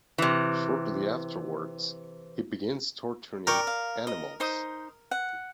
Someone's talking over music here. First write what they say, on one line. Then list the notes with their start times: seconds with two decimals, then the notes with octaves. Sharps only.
Shortly afterwards, he begins torturing animals.
0.18 C3 E3
3.47 A#4 D5 G5 C#6
3.67 F5
4.07 D#5
4.40 D#4 C5 D#6
5.11 F#5